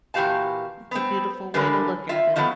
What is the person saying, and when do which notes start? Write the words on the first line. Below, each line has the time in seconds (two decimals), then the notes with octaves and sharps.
It's a beautiful way to look at it.
0.14 A#2 E3 F#4 G4 F5 A5
0.91 B3 C4
1.54 D3 E3 G#3 A#4 B4
2.09 F4 E5
2.36 D#3 F3 F#3 A3 B3